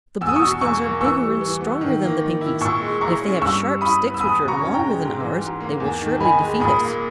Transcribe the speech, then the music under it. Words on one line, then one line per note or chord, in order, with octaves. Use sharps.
"The Blueskins are bigger and stronger than the Pinkies, and if they have sharp sticks which are longer than ours they will surely defeat us."
E2 E6
D#6
C#6 E6
B2
E2 C#6 E6
A#3
E3 C#6 E6
G3
E3
B3
D#3
A#3
D#3
E4
A#2 C#6 E6
G#3
E4 A#5 C#6
C#4
G2 C#6 E6
G3
E4 B5 D#6
B3
E6
E2 B5 D#6
B2
A#5 C#6
C#4
G5 A#5
G#3
G#2
E3
G#2
A#3
E2
D#3
D#4 G#5 B5
G#3
A#2 B5 D#6
A#3